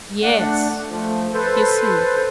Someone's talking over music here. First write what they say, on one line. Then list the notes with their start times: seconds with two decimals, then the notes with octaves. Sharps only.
"Yes," he said.
0.23 A3 D4 F#5
0.89 F3 A3
1.34 A4 B4 C5